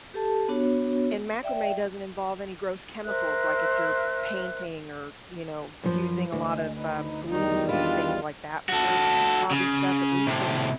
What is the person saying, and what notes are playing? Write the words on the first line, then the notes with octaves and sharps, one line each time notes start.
And macrame doesn't involve any gross chemicals, like, if you're painting or, you know, using a lot of, um, glues and things like that with your hobby stuff, at least with
G4 A4 A5
B3 D4 F#4 C#5
D5 E5 G5
A#4 C5 E5 F#6
F#2 F3 B4
D2 G#3
D#4 B4
E2 D#3 G3 D#4
D4 E4 F4
F#4 A4
C#3
A2 C3